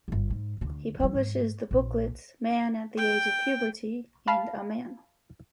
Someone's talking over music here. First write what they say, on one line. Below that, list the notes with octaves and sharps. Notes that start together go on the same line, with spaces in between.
He publishes the booklets "Man at the Age of Puberty" and "A Man".
G1 G2
G#2
D2 D3
E3 G3
G#2
A#1
G5
F5 A5 B5